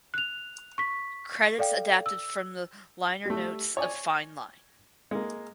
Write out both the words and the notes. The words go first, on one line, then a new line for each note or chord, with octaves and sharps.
Credits adapted from the liner notes of "Fine Line".
F#6 F7
C#6 B6
A4 D5 F5 G5
E6
G3 A3
C#5 D5 G#5
G#3 A#3